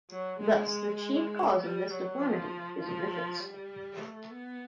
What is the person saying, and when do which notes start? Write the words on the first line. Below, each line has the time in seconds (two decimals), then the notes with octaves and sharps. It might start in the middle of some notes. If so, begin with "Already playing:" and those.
Thus the chief cause of this deformity is rickets.
0.10 F#3
0.40 G#3
0.69 G#3
1.60 G3
1.90 F#3
2.21 F3
2.80 F3
3.40 G3
4.00 A3
4.31 B3